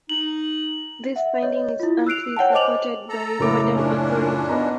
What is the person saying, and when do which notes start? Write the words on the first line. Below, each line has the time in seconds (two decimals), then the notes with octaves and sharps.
This finding is amply supported by modern authority.
0.09 D#4 F#7
1.16 E5 F#5
1.43 C#5 D#5
1.80 E4 F4
2.07 E6 F#6 C7 D7 F7
2.37 C#5 F#5 G5 A5
2.53 C5 D#5 G#5 D6 F7 F#7
3.09 A4 A#5
3.39 F#1 A2 D6
3.75 A#2 C#4 D4
4.49 B3 D#4 A#5